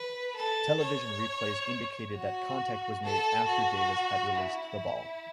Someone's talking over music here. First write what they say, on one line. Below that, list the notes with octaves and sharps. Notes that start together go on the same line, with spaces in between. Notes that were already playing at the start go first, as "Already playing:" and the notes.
Television replays indicated that contact was made after Davis had released the ball.
Already playing: B4
A4
C#5
F#4
A4
F#4
E4